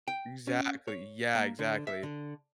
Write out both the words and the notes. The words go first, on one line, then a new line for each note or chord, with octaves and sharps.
Exactly, yeah, exactly.
G5
C#4
C#5
A#3
D3
E5
D3